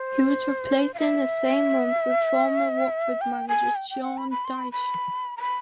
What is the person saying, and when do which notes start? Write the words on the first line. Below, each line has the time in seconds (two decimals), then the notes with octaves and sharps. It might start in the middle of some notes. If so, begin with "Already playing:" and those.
He was replaced in the same month with former Watford manager Sean Dyche.
Already playing: C5
0.94 F5
0.99 E5
3.21 G5
3.48 G#5
3.75 G5
3.90 G5
4.03 F#5
4.17 B5
4.31 B5
4.45 C6
4.58 B5
4.72 B5
5.37 A#5
5.41 B5